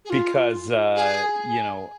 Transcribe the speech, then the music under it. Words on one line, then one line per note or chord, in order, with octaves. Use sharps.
because, uh, you know, d
G#4
F4
G#4